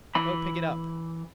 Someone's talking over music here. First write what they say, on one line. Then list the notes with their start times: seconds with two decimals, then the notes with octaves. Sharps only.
Go pick it up!
0.15 E3 B5